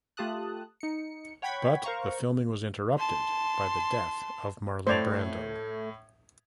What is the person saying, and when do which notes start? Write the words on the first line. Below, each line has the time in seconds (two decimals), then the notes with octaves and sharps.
But the filming was interrupted by the death of Marlon Brando.
0.17 A3 F4 G4 A5 D#6 F#6
0.80 D#4 C#7
1.42 C#5 F#5 G5 B5 G#6 B6
1.84 A#4 C5 F5 A#5 C#6
2.98 A5 C6
4.87 A2 A3 C5 D5 G#6 F7